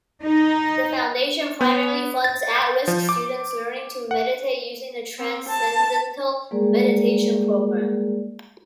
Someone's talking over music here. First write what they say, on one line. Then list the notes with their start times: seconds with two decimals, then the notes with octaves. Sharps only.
The Foundation primarily funds at-risk students learning to meditate using the Transcendental Meditation program.
0.24 D#4
1.61 B3
2.24 A6
2.56 G6
2.88 F3
3.09 D6
4.11 F#5
5.19 C4
5.48 A5
6.51 G3 G#3 A#3 G#4 A#4 D5